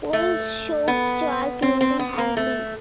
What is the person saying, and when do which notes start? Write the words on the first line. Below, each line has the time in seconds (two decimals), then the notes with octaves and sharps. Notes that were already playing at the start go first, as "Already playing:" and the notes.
Polls showed Clark losing handily.
0.13 A3
0.88 B3
1.62 C4
1.81 C4
1.99 B3
2.18 A#3
2.37 A3